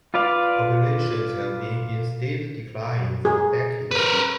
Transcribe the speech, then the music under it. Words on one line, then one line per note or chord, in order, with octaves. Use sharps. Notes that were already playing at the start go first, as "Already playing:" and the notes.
Populations have been in steady decline for decades.
F4 B4 D5 F5
G#4
A#4 B4